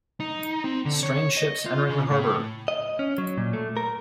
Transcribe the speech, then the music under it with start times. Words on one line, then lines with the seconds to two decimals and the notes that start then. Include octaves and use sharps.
Strange ships entering the harbor!
0.20 D#4
0.64 C4
0.85 D3
1.03 C#5
1.37 D#5
1.66 F4
1.89 C#3
2.11 A2
2.68 D#5
2.99 C#4
3.18 F#3
3.38 A#2
3.53 A3
3.77 A#4